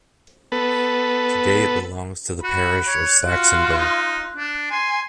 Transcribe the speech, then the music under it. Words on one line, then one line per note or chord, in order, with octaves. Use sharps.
Today it belongs to the parish of Sachsenberg.
B3 A4 B4
F#4 B5 F#6
C#5
F4 F#4
D#4
D4
G#5 C6